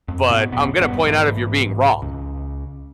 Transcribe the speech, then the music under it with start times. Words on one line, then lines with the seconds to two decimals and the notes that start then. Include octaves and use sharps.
but I'm gonna point out if you're being wrong,"
0.08 F2
0.30 G#2 B2 B3
0.52 D#1 A#1 B3
0.77 E1 G2 B3
1.03 B1 G#2 E3
2.02 C#2